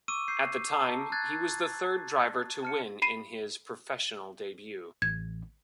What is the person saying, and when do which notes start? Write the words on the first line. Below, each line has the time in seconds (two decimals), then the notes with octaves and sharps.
At the time, he was the third driver to win in his Professional debut.
0.08 C#6 D6 E6 D#7
0.28 G6 C7
0.72 A5 A#5
1.12 F#6 G#6 A6
2.63 A5 F6 C#7
3.02 B5 C7 D#7
5.02 A1 G#6